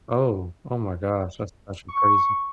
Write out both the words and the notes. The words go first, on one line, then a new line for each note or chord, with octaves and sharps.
Oh, oh my gosh, that's actually crazy.
C#6